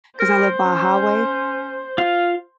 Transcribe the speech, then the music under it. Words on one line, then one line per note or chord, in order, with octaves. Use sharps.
cause I live by a highway,
A#4 C5
C#4
F4 F5